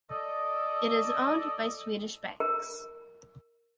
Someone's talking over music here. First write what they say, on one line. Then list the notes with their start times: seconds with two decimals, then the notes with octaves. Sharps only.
It is owned by Swedish banks.
0.10 A4 D5 D#5
2.40 A#4